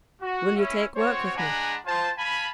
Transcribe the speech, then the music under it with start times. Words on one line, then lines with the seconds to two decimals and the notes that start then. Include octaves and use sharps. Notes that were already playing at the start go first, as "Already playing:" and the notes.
Will you take work with me?
0.22 F#4
0.56 C#4 E4
0.95 C4 F#4 C5 C#5
1.37 G#3 D4 F#5 G#5 A#5 B5
1.86 F4 C5 A5
2.17 F5 G#5 A5 B5